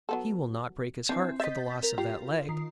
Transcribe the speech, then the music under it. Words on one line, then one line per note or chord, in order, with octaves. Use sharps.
He will not break his heart for the loss of that leg.
F#3 B3 A4
E3 C4 D4
D#5 E5 G6 A6 B6
A#4
F4 G4
D#3 C7